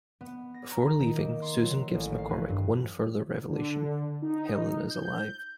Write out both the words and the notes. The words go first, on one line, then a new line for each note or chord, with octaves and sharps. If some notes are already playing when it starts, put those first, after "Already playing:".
Before leaving, Susan gives McCormick one further revelation: Helen is alive.
B3
A#6
A#5
D#3
A#3
C6
F#3
A1
F5
B4
G2
D3
D#4
G6